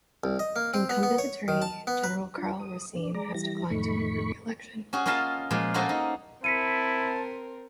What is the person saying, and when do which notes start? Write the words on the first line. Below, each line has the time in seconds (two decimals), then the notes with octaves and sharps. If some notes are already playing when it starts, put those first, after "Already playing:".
Incumbent Attorney General Karl Racine has declined to run for reelection.
0.24 C2
0.39 D#5
0.56 A#3
0.74 C4
0.89 B3
1.03 B3
1.18 C#5
1.48 D#3
1.62 A5
1.87 B3
2.04 B4
2.38 D4 F4
2.59 D#6
2.96 D4
3.14 G#3 D5 A#5
3.34 E3 G3 A#6
3.70 F2 A2 D#3 A3 B5 C#6
4.93 C#4 F#4 G#4
5.06 A#3 C#4 F4 D#5 F5 A5
5.51 A#2 F3 G#3
5.74 A#3 C#4 F#4 A4 C5 D#5
5.89 D#4
6.44 C4 E4 A#4 A5 B6 C#7 D#7